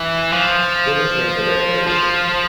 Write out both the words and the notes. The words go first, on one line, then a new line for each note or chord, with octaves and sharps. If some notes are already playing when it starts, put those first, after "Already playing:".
We’ll return to Veracruz.
Already playing: E3
F3
F3